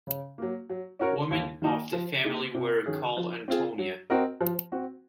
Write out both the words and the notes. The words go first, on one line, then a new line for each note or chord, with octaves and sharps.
Women of the family were called "Antonia".
C#3
F#3 A#3
F#3
C#4 F#4 A#4 C#5
D#2
D#3 F#3 A#3 D#4
F3
A#3 D#4 G#4
C3
D#3 F#3 C#4 G#4
F3
C4 F4 G#4
F#3
C4 F#4 A#4 D#5
F3
C4 F#4